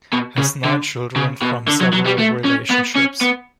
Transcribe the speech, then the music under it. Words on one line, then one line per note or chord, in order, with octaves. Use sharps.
Has nine children from several relationships.
B2
C#3
D3
C#3
B2
D3
F#3
F#3
G3
A3
C#4
B3
C#4
B3